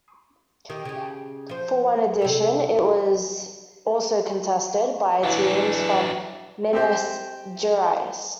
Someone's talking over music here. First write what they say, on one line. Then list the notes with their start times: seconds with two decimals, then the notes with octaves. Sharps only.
For one edition, it was also contested by teams from Minas Gerais.
0.70 D#3 G4
0.85 C#3 G4
1.49 F3 C5
2.22 C3 A4
5.23 E3 F#3 D4
6.73 C4 G4 C5